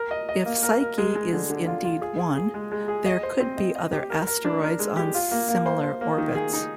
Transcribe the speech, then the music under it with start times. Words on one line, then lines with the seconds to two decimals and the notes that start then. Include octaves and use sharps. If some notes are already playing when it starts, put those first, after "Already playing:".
If Psyche is indeed one, there could be other asteroids on similar orbits.
Already playing: A#4
0.11 D#5
0.29 D#5
0.46 A#3
0.63 A#4
0.81 A#4
0.98 G#3
1.15 G#3
1.32 D3
1.50 D3
1.67 F4
1.84 F4
2.01 G#4
2.19 G#4
2.36 G#4
2.54 G#3
2.72 G#3
2.88 G#4
3.06 D#5
3.23 C5
3.40 C4
3.57 D#5
3.76 D#5
3.93 G4
4.10 A#4
4.27 A#4
4.44 D4
4.62 A#4
4.79 G#3
4.97 G4
5.14 F4
5.31 A#3
5.49 A#3
5.66 C5
5.83 C5
6.01 A#3
6.18 D#3
6.35 G#4
6.53 D#4